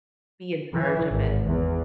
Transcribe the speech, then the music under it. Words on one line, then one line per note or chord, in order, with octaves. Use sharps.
be in charge of it.
E3
G#1
E2